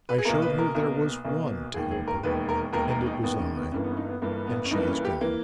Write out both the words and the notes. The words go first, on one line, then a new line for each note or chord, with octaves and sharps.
I showed her there was one to help her, and it was I. And she is gone.'
B4
G#4
B1 B2 A#3 A#4
B4
A#4
B1 B2 A#3
B1 B2 A#3
E1 D#2 D#3 G#4
G#4
A#4
E1 D#2 D#3 B4
A#4
E1 D#2 D#3 A#4
A#4
D#4
E1 D#2 D#3 B3
C#4
B3
G1 G2 E3 A#3 C#4
B3
C#4
D#4
B3
G1 G2 E3 A#3
B3
C#4
G1 G2 E3 A#3 D#4
C#4
G4
E3 A#3